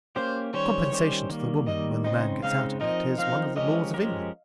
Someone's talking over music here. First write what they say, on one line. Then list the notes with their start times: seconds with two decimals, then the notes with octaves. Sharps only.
Compensation to the woman when the man gets out of it, is one of the laws of England.
0.16 A#3 C#4 G4 C5
0.54 D#3 G3 C#4 G4 C5 C#5
0.92 D#3 G3 C#4 G4 C5
1.29 D#3 G3 A#3
1.67 D#3 G3 A#3 D#5
2.04 C#3 G#3 C4 D#4 D#5
2.43 C#3 G#3 C4 D#4 F5
2.80 F3 C4 D#4 A#4 D#5
3.18 F3 C4 D#4 A#4 F5
3.56 F3 G#3 C#4 G4 A#4 D#5
3.94 F3 G#3 C#4 G4 A#4